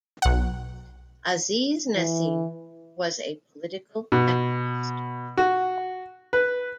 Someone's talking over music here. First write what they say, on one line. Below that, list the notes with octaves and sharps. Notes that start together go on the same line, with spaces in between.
Aziz Nesin was a political activist.
B1 F#5
E3
B2
F#4
B4